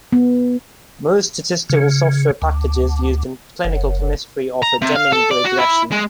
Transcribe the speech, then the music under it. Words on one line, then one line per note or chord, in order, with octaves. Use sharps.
Most statistical software packages used in clinical chemistry offer Deming regression.
B3
C#3
D2
F#1
A#5
C3
F5
A4
D5
F#4
E4
G#3